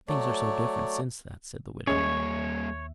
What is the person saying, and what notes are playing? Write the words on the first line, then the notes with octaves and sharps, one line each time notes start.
"But things are so different since that," said the widow.
F#3 A3 C#5 D5
D#2 G3 G#3 A#3 C#4 G#4 C#5 E5